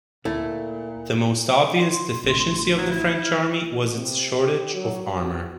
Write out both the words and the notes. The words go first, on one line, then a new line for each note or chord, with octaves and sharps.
The most obvious deficiency of the French army was its shortage of armour.
D2 A#2 A3 E4
C6
A1 D2
F#3
E4
F6
C3
G4
F#3
F#4